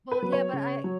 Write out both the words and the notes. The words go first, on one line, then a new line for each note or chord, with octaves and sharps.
Well, yeah, but I
B4
F#3 B3
C#5
C#3
F#3